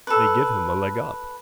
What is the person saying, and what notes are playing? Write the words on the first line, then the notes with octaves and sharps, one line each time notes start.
They give him a leg up.
A4 B4